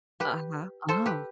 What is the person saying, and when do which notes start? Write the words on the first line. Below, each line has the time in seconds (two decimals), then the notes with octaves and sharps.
Uh-huh, oh.
0.20 G4 B4
0.89 A4 C5
1.06 G4 B4